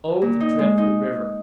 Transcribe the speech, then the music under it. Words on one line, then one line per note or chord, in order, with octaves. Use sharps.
Oh, the dreadful river!'
A#2
D#4
G#3
D#4